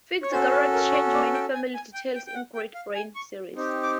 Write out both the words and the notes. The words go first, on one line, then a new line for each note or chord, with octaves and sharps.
Fitzgerald changed many family details in the Great Brain series.
C#5
C#4 F#4 A4 C5
B4
A#4
C#5
D5
G5
G#5
G#5
G5
G5
G5
F#5
G5
F5
G#5
C#6
C4 D#4 G4
D6